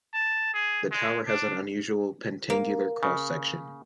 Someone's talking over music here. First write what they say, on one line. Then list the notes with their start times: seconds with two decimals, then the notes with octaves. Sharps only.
The tower has an unusual pentangular cross section.
0.14 A5
0.53 G#4
0.91 G#3
1.27 D4
2.50 A#3
3.03 C#3